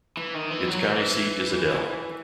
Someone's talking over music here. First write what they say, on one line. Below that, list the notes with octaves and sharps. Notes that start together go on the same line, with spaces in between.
Its county seat is Adel.
E3
D#3
E3
F#3
E3